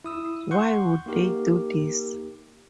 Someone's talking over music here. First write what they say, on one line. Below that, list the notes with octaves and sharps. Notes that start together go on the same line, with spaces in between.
Why would they do this?
E4 D#6 E6
F#5 C6 C#6 F#6 G6
A#3 D#4 G4 A#4